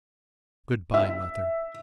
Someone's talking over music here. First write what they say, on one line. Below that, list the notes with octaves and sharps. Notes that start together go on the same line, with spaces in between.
"Good-bye, mother."
E5